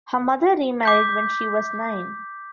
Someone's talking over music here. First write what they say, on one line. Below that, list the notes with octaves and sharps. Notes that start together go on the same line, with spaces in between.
Her mother remarried when she was nine.
D6 G6 B6